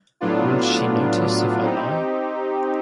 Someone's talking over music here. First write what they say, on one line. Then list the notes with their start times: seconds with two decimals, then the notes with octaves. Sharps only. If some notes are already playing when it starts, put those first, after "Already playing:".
Will she notice if I lie?
0.21 A2 F#3 B3 D4 F4
1.62 C4 D#4 G4